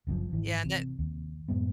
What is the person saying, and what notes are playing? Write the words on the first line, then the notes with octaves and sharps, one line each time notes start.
Yeah, and that
F#1 F#2 A#2 F3
G#1 E3
C3
D#2
F#2 A2 G#3 B3